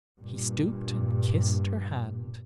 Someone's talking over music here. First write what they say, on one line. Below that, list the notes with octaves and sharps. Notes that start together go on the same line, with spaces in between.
He stooped and kissed her hand.
G2 A#2